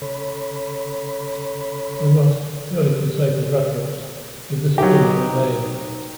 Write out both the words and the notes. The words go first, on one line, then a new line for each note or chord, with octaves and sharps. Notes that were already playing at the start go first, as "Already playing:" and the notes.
We must, purely for the sake of reference, give this opinion a name.
C#3 A4 C#5 B5
F#3 D#4 G4